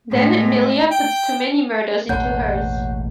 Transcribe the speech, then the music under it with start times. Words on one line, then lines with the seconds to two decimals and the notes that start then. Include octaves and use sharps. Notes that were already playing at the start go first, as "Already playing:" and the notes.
Then Emilia puts too many murders into hers.
0.11 A2 G#3
0.91 G5
2.09 E1 A1 A#3 C#5 F#5 G6